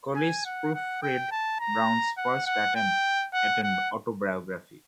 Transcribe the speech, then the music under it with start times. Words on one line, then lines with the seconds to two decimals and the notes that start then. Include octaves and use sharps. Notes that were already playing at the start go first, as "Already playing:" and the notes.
Collis proofread Brown's first attempt at an autobiography.
0.16 G#5
0.45 F#5
0.74 F#5
1.02 G5
1.31 A5
1.60 A#5
2.17 F#5
2.46 F#5
2.75 G5
3.33 F#5
3.63 F#5